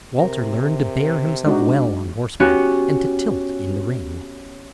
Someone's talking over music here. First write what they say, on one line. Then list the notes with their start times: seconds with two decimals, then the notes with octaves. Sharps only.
Walter learned to bear himself well on horseback and to tilt in the ring.
0.20 C3 A#4
1.46 G#3 D4 D#4 F#4
2.40 B3 C#4 F#4 G4